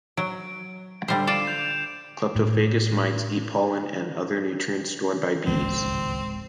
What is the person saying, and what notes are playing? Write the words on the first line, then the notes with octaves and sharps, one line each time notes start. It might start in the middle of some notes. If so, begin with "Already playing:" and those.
Cleptophagous mites eat pollen and other nutrients stored by bees.
F#3 D7
D3 G3 C5
F4 D5 C7 D7 E7
G6 F7
A2
D1 G#1 C#2 G#2 F3 G#3 C4